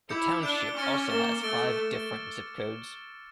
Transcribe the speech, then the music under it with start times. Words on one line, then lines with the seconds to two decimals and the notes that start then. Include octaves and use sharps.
The township also has five different zip codes.
0.09 E4 D6 G6 C#7
0.43 D4 G6 D7 G7
0.76 C#4 C#6 F6 A6 C#7 G7
1.10 A#3 A6 E7 G7
1.43 A3 E6 A6 D7